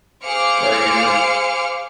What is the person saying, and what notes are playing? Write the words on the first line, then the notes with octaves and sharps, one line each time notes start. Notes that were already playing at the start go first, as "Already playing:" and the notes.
where you're
G#4 C5 F5 D6 F6 C#7